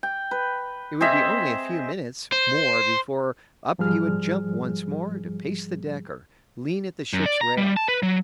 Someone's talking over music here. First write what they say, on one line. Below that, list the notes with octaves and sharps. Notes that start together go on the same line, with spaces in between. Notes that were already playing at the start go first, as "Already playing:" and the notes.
It would be only a few minutes more before up he would jump once more to pace the deck or lean at the ship's rail.
G5
B4
C4 G#4 D#5 E5
C5
G#2 F3 G3 G#4 F6
F#2
D5
A#5
G3
A5
B4
F#3